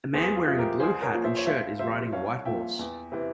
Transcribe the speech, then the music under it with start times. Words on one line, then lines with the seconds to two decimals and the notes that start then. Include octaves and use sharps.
A man wearing a blue hat and shirt is riding a white horse.
0.14 E2 G#4 C5
0.36 F4 G#4
0.48 C3 F3
0.58 G4 A#4
0.80 C2 G#4 C5
1.02 A#4 C#5
1.13 A#2 F3
1.24 C5 E5
1.37 C#5
1.46 C#2 C5 E5
1.79 C3 F3 C5 E5
2.12 C2 C#5 F5
2.45 A#2 F3 E5 G5
2.79 E2
3.12 C3 E3